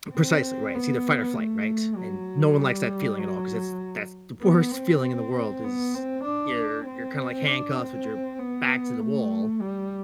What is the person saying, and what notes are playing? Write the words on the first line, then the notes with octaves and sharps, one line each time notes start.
Precisely, right. It's either fight or flight, right? And no one likes that feeling at all, 'cause it's that's the worst feeling in the world is you're you're kinda like handcuffed with your back to the wall.
C4
B3
A3
F#3
G3
F#3
B3
C4
B3
C4
D4
C4
D4
C4
B3
A3
G3